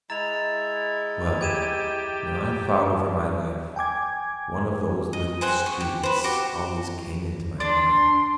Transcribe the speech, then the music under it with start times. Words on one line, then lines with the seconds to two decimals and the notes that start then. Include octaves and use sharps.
Well, when I thought over my life, one of those little streets always came into my mind.
0.10 G#3 E4 A#5 A6 F7
1.41 G4 G#6 D#7 E7
3.76 G5 G#5 D6 G#6
5.13 D#5
5.41 G#4 C5 F#5 G5
5.66 C#6
5.80 G4
6.03 B4 C5
6.24 F#4 G4 D6
7.60 D4 C6